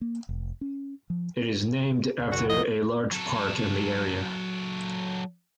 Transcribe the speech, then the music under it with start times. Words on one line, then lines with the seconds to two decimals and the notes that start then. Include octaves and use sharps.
It is named after a large park in the area.
0.01 A#3
0.29 F1
0.61 C#4
1.10 F3
2.20 C#2 B6 C7
2.32 F#1 C2 F#4
2.49 F3 E4 D#5
3.12 F#3 A4